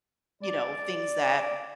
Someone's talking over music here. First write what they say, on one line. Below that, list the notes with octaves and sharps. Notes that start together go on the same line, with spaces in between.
you know, things that
D5